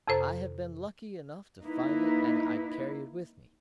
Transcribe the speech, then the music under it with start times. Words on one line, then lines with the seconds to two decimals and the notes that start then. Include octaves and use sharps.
I have been lucky enough to find it, and I carry it with me.
0.08 F2 C3 A4 C5 A#5
1.65 A#3 D#4 E4 B4